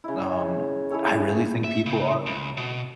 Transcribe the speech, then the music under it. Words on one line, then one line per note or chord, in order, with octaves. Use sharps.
Um, I really think people are
C#3 E4
E4 G#4 A4 C#5
E5
C#3
C#2
B2